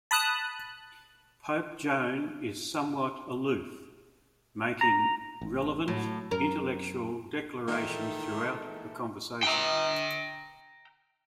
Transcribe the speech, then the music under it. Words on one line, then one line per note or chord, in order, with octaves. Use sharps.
Pope Joan is somewhat aloof, making relevant, intellectual declarations throughout the conversation.
A5 B5 D#6 F#6
A#5
A1
A2 F#3
F#2 A#4
A#2 D#3 E3 G#3 D#4 A4 E5
G5 A#5